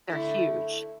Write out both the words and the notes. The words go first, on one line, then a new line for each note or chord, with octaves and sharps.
They're huge.
D3 A3 E4